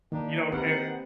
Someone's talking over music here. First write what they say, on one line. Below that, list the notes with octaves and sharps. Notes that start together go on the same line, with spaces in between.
you know, and
D#3 A#3 D4 D#4 G4
C4 D#4 G4 A#4 B4 F#5